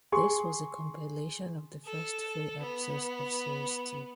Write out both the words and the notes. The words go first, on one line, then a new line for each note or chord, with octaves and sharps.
This was a compilation of the first three episodes of Series Two.
G#4 C6 C#6
A4
B3